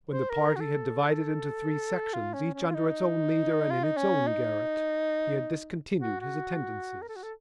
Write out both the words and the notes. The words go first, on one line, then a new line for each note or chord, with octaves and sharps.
When the party had divided into three sections, each under its own leader and in its own garret, he had discontinued his attendances.
C5
A#4
F#4
A4
F4
C#4
C#4
F4
D#4
F4
D#4
C#4
D#4
F#4
F#4
A#4
A4
F#4
A4